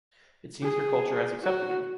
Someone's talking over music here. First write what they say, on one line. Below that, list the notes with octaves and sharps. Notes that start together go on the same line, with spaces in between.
It seems your culture has accepted me.
G#4
F#4